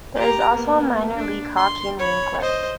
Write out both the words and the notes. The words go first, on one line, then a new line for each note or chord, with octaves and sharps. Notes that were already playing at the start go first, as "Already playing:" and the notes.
There is also a minor league hockey in Winkler.
G4 A#5
A#3 B3
D4
C6
C#5 B5
C5 D#5